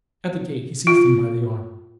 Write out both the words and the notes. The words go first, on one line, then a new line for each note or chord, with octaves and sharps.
At the gate, he seized him by the arm.
F4